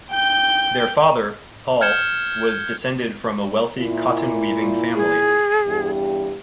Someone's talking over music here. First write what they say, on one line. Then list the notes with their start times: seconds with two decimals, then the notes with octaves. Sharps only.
Their father, Paul, was descended from a wealthy cotton weaving family.
0.11 G5 G6
1.81 F6 G6 G#6 C#7 E7 G7
3.79 A#2 E4
4.95 G#4
5.65 E2 G2 G4